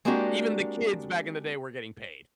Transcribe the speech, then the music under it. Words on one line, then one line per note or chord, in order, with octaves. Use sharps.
even the kids back in the day were getting paid.
G#3 A#3 C4 D4 F#4 G4